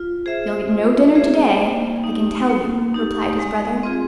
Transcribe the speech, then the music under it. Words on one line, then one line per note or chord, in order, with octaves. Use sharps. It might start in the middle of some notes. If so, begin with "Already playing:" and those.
"You'll get no dinner to-day, I can tell you," replied his brother.
Already playing: F4
G#4 C5 E5
F4
G#4 C5 E5
A#3
D#4 G4
A#3
D#4 G4
G#3
C4 F4 G#4